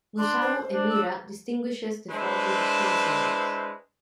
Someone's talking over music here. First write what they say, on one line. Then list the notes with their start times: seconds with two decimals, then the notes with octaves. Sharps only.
Mussau-Emira distinguishes the following consonants.
0.18 D4 C6
0.41 C5
0.74 D4
0.89 E6
2.11 G#3 D4 E4 B4 C5